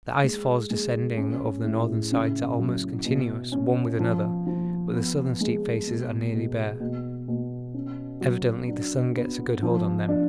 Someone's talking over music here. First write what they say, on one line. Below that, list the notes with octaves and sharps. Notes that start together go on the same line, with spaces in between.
The ice-falls descending over the northern sides are almost continuous one with another, but the southern steep faces are nearly bare; evidently the sun gets a good hold on them.
G#3
G#3
C#4
A2
C#3
F#3
B2
C#4
F3
F3
B3
G#3
B2
B2
B2
B2
C#4
F#3
D4
B3
F3
D4